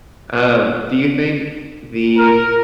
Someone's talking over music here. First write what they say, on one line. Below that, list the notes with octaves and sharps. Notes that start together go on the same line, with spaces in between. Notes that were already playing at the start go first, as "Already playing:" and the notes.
Um, do you think the
A#4